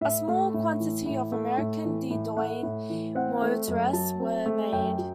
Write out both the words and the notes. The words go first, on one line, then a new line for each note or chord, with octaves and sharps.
A small quantity of American De Dion Motorettes were made.
A2 E5
A3
A2
E3
A2
A3
A2
E3
A2
A3 F#5
A2
E3
C4 F#5
A3
F#2
F#3 A5
C4
A3
F#2 G5
F#3